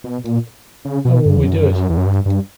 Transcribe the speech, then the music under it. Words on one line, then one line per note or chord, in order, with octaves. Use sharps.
How will we do it?
B2
A#2
C#3
B2
G2
E2
F#2
E2
F#2
G2
G2